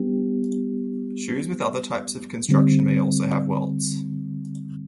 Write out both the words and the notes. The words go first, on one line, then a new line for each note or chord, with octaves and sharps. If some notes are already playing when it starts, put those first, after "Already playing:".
Shoes with other types of construction may also have welts.
Already playing: G3 B3 D4 G4
D3 G3 C4